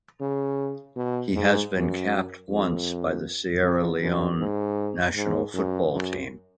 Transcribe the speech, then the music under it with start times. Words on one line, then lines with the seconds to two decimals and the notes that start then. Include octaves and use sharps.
He has been capped once by the Sierra Leone national football team.
0.21 C#3
0.96 B2
1.34 G#2
1.73 F#2
2.49 F2
3.63 F2
4.01 F#2
4.39 G#2
5.16 G#2
5.54 F#2
5.92 F#2